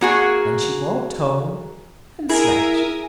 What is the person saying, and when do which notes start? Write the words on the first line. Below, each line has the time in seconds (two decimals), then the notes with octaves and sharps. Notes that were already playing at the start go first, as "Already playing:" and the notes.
Then she walked home and slept.
0.01 A#3 F#4 G#4
2.29 E4 G#4 A#4 E5 D#6